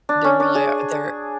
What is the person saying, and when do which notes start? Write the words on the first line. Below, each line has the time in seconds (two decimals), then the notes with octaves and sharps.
They really a they're
0.09 D4
0.24 C#4
0.40 D4
0.55 G#4